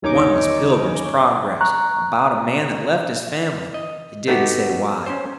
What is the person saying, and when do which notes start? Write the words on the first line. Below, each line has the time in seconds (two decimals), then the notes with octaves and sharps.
One was Pilgrim's Progress, about a man that left his family, it didn't say why.
0.02 G1 D#2 C#4 D#4 C#5 D6
1.61 A#5 C#6 F#6
3.74 D#5
4.28 A3 B3 D#4 F#4 G4
5.06 C#4 C5